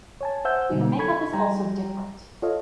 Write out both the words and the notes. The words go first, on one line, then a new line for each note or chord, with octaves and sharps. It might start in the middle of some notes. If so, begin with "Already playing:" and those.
Her makeup is also different.
C#5 G#5 A5
C5 E5 F#5 G#5 E6 G6
B2 D3 F#3 G3 D#4 F#4
A4 B5 C#6 G#6
G3 G5 A#5
F4 A4 C#5 D#5 F5